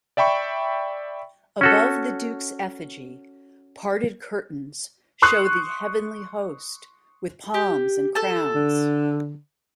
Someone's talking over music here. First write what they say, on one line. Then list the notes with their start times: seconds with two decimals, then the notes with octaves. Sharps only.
Above the Duke's effigy, parted curtains show the heavenly host with palms and crowns.
0.17 D5 E5 G5 B5 C#6
1.61 C#4 F#4 A4
5.22 C6 C#6 D#6 F#6 C7
7.54 G4
8.15 A4 A5
8.55 D3